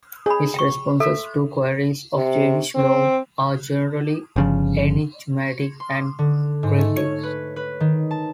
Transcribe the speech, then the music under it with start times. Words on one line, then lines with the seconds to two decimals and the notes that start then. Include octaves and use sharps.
His responses to queries of Jewish law are generally enigmatic and cryptic.
0.26 G#4 C#5 B5
0.54 G5 C#6
1.00 A4 E5
2.16 C3
2.75 C4
4.36 G1 C#3 F3
5.80 C6
6.19 D3
6.63 G#2
6.78 A3
6.97 C#5
7.23 B4
7.56 B4
7.80 D#3
8.11 A5